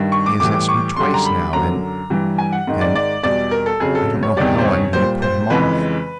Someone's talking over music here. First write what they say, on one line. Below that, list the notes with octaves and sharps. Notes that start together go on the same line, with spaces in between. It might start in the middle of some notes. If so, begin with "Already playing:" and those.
He has asked me twice now and--and--I don't know how I am going to put him off.
Already playing: G2 D#3 G3
C#6
D6
A2 E3 G3 D6
C#6
F#2 D3 G3 C6
A#5
B5
F#2 D3 F#3 A#5
G2 E3 G3
G#5
F#5
G#2 D#3 G#3
D5
D5
E2 B2 G3 D5
A#4
A4
F2 C#3 F#3 G#4
A4
C#5
E2 C3 D#3 G3 D5
C5
C#5
A#2 G3 C5
C5
F2 C#3 E3 G#3 B4